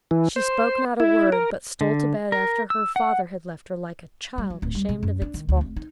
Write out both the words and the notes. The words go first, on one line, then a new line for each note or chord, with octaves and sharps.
She spoke not a word, but stole to bed after her father had left her, like a child ashamed of its fault.
E3
C5
E4
A#4
D3
A#4
E6
F#5
G3
F#3
D1
G3
C3
F#2
D4
D#3
D2
F1
D#4